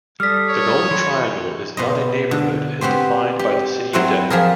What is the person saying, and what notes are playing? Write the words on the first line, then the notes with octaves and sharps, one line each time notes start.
The Golden Triangle is not a neighborhood as defined by the city of Denver.
G3 A4 D5 D#6 F6 B6
C#5
E3 F#4 C6
B2 C5 D#5
D3
B3 C4 F#4 G4 C5
G4
F#3 C4 E4 F#4 C5 F#5
F3 G4 G#4 A#4